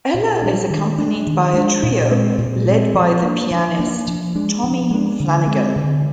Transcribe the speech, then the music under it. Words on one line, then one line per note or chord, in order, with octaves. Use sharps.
Ella is accompanied by a trio led by the pianist Tommy Flanagan.
A#2
G3 A#3 D4
D#3
G#3 D4
D#3
G#3 D4
A#2
G#3 C4
A#2
G#3 C4
F3
A#3 D4
F3
A#3 D4
F3
G#3 D4
F3
G#3 D4
D3
G#3 C4
D3